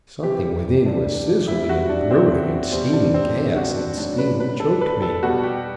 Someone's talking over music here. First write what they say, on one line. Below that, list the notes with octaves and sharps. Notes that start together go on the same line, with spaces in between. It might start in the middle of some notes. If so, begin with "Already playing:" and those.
Something within was sizzling and brewing and steaming; gas and steam choked me.
C3 E3 G3 G4
D4
C3 G3 E4
E4
F#4
D4
C4
B2 G3 C4
D4
C4
D4
F#4
D4
A2 F#3 D4
B4
B4
A4
B4
A4
B2 G3 F#4
G4